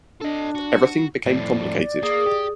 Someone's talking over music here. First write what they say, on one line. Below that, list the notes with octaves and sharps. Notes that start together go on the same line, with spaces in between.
Everything became complicated.
D4 A4 D#5
F#4
F2 A2 D5
A#3 G#4 D#6
G4